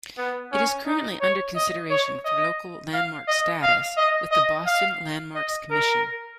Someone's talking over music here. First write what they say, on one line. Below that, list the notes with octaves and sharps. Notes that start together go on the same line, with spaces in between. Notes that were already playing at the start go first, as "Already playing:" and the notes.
It is currently under consideration for local landmark status with the Boston Landmarks Commission.
B3
C#4
D#4
C#5
D#5
C#5
D#5
F5
D#5
F5
D#5
D#5
F5
D#5
A#4